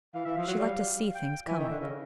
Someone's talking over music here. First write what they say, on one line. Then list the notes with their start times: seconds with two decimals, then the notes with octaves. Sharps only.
She liked to see things coming.
0.14 E3 F5
0.25 E3 E5
0.36 F3 F5
0.47 F#3
0.59 G3
1.15 G5
1.47 E3 G#5
1.59 D#3 E5
1.70 D3
1.81 C#3 D#5